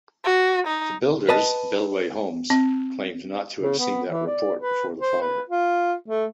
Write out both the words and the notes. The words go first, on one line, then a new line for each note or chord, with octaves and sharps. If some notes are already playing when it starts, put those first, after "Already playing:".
The builders Bellway Homes claimed not to have seen that report before the fire.
F#4
D#4
B4 D#5 A5
C4
C#3
B3
E3
D5
B4
C5
B4
F4
A3